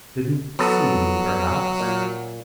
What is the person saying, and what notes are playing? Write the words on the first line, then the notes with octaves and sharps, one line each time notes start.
Didn't see me perhaps.
F#3 B3 A4
A#2